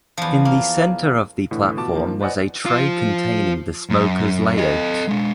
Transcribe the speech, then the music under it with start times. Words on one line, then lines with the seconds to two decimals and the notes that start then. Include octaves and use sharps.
In the center of the platform was a tray containing the smoker's layout.
0.18 E2 F3
0.45 A#3
1.51 A2 D3 E3
1.77 B2 F4 A5 D6
1.95 D#3 F3 A#3
2.21 B4 C5 D5 D#5 F#5 G#5
2.66 F3 F4
3.90 F#2
4.58 A4 D#5
5.08 G#3 D4